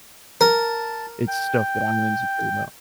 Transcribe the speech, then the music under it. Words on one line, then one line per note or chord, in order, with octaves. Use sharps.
It's stuff that I'm insecure about.
A#4 A5
G5